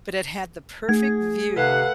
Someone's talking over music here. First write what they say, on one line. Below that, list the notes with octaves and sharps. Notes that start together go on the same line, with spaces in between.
but it had the perfect view
A3 G#4 G#6
C3 A4 B4 F5 F#5